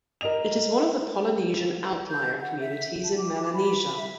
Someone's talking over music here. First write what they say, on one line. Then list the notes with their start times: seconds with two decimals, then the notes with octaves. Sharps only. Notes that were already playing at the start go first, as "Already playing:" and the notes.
It is one of the Polynesian Outlier communities in Melanesia.
0.21 A#4 D#5 F7
2.11 G6
2.41 F#5
2.60 E5
3.04 A5
3.17 D6
3.54 B5
3.97 E5